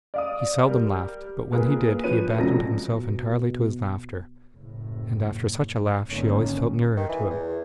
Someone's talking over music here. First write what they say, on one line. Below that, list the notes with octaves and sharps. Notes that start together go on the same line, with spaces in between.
He seldom laughed, but when he did he abandoned himself entirely to his laughter, and after such a laugh she always felt nearer to him.
D5 F5 D#6
G3 A#4
A#2 F4 G#4 A#4 B4
F3 B4 C#5 D#7
F1 F2 C#3 F3 F#3 A#6
B2
F#1 A2
G#1 D3 D#3 A#3 C#4
D#3
E3
E2